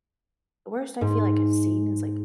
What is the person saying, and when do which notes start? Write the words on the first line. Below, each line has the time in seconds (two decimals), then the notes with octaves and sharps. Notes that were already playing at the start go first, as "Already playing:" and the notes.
the worst I feel, like, I've seen is, like,
1.01 G#2